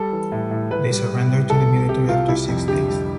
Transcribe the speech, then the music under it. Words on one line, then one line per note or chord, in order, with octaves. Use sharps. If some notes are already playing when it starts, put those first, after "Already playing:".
They surrendered to the military after six days.
Already playing: G3 A4
E3
A2
A2
A2 B4
G3
G3
G3
C2 A4
C2
C3 G4
C2 F4
G3 E4
F2
D3 G4
G3